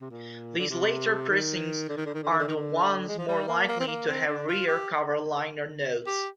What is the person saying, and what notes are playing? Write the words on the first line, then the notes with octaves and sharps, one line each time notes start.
These later pressings are the ones more likely to have rear cover liner notes.
C3
A#2
D3
C3
D#3
D3
D#3
D3
D#3
D3
D#3
D3
D#3
D3
G#3
F3
G3
A#3
A#3
C4
A#3
C4
D4
F4
G4
G4